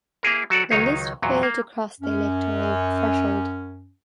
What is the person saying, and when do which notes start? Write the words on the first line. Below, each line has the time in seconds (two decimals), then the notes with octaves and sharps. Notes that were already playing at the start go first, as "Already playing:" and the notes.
The list failed to cross the electoral threshold.
0.23 A#3 E4 G#4 A#4
0.50 F#3 F#4 A4 D5
0.70 C#2 D#3 F#3 D#4 C#5 F5
1.22 E2 A#2 F#3
1.43 A#3
2.01 F#2 C#4